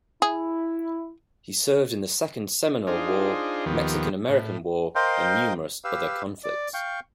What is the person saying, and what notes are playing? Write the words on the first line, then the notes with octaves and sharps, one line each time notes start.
He served in the Second Seminole War, Mexican-American War, and numerous other conflicts.
E4 G#4
D4 D#4 F4 G#4 C5
D#2 D#3 F3 B3 G4
A2
A#4 C5 D#5 F5 G5 C6
G4 B4 F5 E6
D5
F5 G5 C#6